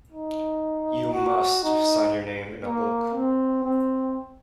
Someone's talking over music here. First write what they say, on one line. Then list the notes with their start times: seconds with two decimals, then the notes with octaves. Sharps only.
You must sign your name in a book.
0.12 D#4
1.13 F#4
1.64 D#4
2.64 A#3
3.14 C4
3.64 C4